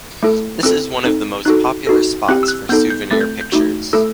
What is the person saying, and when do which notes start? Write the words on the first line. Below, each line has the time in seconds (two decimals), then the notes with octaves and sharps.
This is one of the most popular spots for souvenir pictures.
0.23 A3 E4 A4
0.63 C4 E4 A4 E6
1.04 C4 D#4 A4
1.45 D#4 F#4 A4 F#6
1.87 D#4 F#4 A4
2.28 C4 E4 G4 F#6
2.43 E6
2.48 F#6
2.69 B3 D#4 A4 G6
2.90 G6
3.11 A3 C4 E4 A4 A6
3.21 G6
3.41 G6
3.52 A3 D#4 F#4
3.93 A3 E4 A4 E6